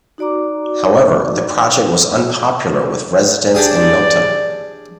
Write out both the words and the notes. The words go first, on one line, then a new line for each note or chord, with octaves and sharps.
However, the project was unpopular with residents in Milton.
D#4 F#4 D5 A#5 D6
D4 G4 G#4 D5